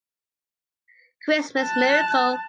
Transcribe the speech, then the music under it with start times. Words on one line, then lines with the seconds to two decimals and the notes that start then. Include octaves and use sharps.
Christmas miracle.
1.60 A5 F#6